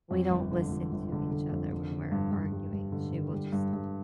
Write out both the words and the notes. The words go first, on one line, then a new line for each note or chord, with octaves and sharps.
we don't listen to each other when we're arguing, she will just
F2
G1
D3
G1
G1
D3
D3
F2
D3
D3
G2
G2
G3
G2
D3
D3
G3
G2
G2